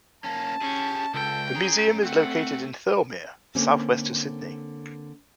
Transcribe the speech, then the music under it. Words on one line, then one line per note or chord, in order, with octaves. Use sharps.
The museum is located in Thirlmere, south-west of Sydney.
A#3 C#4 A5
C#4 G4 G#4
C#2 A4 G5
C#4 G#4 A#5
A3 C4 F#5
D3 A#3 C4 C#4